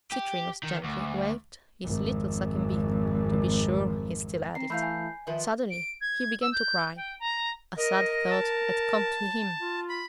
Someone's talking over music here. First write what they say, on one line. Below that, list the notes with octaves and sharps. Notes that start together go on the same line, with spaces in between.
Citrinus gently waved his little sucking-beak, to be sure he still had it. Suddenly he began to cry; a sad thought had come to him.
G4
D#3
D2
G#1 F2
C4 A#5 C7
E3 A3 F5 B5 G6 C7
G#5
D#3 F3 B4 E5
D7
G#6
E6
G6
G5
A#5
A#4 D#5
A5
F4
B5